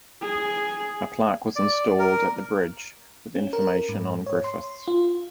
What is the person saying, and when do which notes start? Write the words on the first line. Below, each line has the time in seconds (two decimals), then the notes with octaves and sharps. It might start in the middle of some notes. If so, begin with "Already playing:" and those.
A plaque was installed at the bridge with information on Griffiths.
0.23 G#4
1.56 D5
1.99 A#4
3.36 C#4
3.53 A#4
3.89 G#2
4.26 C#5
4.44 C6
4.88 F4